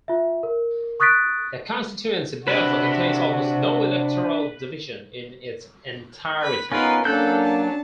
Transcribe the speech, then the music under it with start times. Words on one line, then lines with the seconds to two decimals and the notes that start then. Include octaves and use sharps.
The constituency therefore contains almost no electoral division in its entirety.
0.08 F4 E5
0.43 A#4
1.00 C#6 D#6 F#6 A6 B6 D7
2.48 C3 D4 F#4 B4
6.41 B4 B6
6.72 B3 C#4 D#4 F4 A#4 B4 C6
7.05 F#3 A#3 C#4 D4 A4 F#6 G6
7.43 A5